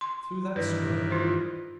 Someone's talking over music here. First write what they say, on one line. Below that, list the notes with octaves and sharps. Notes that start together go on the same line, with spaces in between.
Through that scrub?
C6
G2 D#3 E3 B4
F4 C5